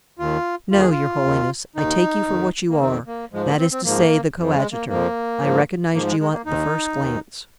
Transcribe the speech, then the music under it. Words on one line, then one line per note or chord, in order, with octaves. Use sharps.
"No, your holiness, I take you for what you are, that is to say, the coadjutor; I recognized you at the first glance."
D#2 D#3 F4
D#2 D#3 F4
G#4
F4
D#2 D#3
D#2 D#3 D#4
F2 D#3
A#3
F2 D#3 C4
A#3
G#2 F3 G#3
A#3
C4
C4
G#2 F3 A#3
F2 F3
G#3
A#3
F2 F3 A#3
G#2 F3
G#2 F3 A#3
G#3
G#3
A#3
D#2 D#3 D#4
D#2 D#3